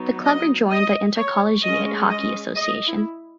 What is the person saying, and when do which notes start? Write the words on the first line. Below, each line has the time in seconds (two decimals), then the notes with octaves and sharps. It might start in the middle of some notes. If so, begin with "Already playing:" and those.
The club rejoined the Intercollegiate Hockey Association.
Already playing: F#3 B3 D#4
0.24 D#5
0.70 D#5
1.16 C#5
1.63 G#3 C#4 D#5
2.09 D#5
2.55 D#5
2.86 E4